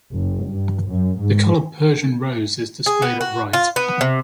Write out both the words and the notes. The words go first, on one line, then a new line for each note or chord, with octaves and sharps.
The color Persian rose is displayed at right.
F#1
G2
F#2
G#2
G#4
B3
F#4
F4
B3
C3